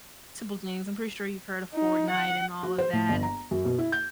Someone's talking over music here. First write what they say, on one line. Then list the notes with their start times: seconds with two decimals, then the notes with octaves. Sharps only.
simple things, I'm pretty sure you've heard of Fortnite, and all of that, s
1.74 D#4
2.11 F#5
2.63 F#4
2.78 C5
2.93 A2
3.09 G1
3.23 A#5
3.51 F#2
3.65 B2
3.78 E4
3.92 G6